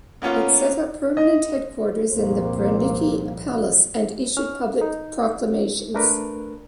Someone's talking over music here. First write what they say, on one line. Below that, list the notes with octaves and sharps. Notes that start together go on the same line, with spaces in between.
It set up permanent headquarters in the Branicki Palace and issued public proclamations.
A#3 B3 C#4 F4
D#5
C2 F2 A#2 A#3 C5
C#4 F6
D#4
A3 D4 A#4 B4